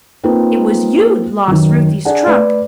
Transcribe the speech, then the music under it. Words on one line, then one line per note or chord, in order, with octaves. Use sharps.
It was you lost Ruthie's trunk.
A#3 C4 D#4 F4 A4 B4
F#2 D#3
D4 G#4 A4 D5 F#5 G#5
A3 B4 D5